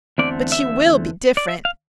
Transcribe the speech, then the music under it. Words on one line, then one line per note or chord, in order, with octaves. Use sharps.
But she will be different.
E2 D3 A3 C4 D5
E5
D5
E5
F5